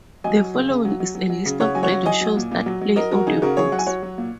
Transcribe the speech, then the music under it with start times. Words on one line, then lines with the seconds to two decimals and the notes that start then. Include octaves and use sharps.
The following is a list of radio shows that play audiobooks.
0.24 F#3 D#5 G#5
0.39 F#3
0.54 C#3
0.70 C#3
0.85 F#3
1.00 F#3
1.15 F#3
1.30 F#3
1.46 C#3
1.60 C#3 C#5 F#5
1.75 F#3 G#5
1.83 C#5 F#5
1.91 F#3
2.06 F#3 D#5 G#5
2.21 F#3
2.36 A#2
2.51 A#2
2.66 F#3
2.81 F#3
2.96 F#3 A#4 D#5
3.11 F#3 F#4 A#4
3.27 C#3 D#4 G#4
3.42 C#3 F#4 A#4
3.57 F#3 G#4 C#5
3.72 F#3 F#5
3.79 G#5
3.86 F#3 C#5 F#5
4.03 F#3
4.18 A#2